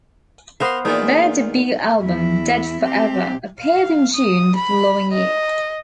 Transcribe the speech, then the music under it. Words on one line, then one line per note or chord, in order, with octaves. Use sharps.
Their debut album, "Dead Forever...", appeared in June the following year.
B3 A#4 C5 F5 C6
E2 A#2 D#3 D#4
E2 E4
C4 G4
F5
D#6
B5
D#5